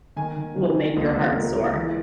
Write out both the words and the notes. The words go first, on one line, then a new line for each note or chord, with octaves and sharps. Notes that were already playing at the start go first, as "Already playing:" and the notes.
will make your heart soar,
D#3 G#5
D#3
D#3
D#3
C#2
C#2
C#2 A#4
C#2
E3